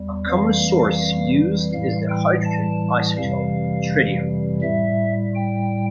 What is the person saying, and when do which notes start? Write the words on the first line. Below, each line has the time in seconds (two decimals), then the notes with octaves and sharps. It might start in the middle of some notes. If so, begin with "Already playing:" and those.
A common source used is the hydrogen isotope, tritium.
Already playing: E2 G3
0.27 F2 E3 G3 F5
1.73 A2 E3 G3 F5
2.09 G5
2.45 A5
3.17 F2 C3 E3 G3 F5
4.62 A2 G3 E5
5.35 G5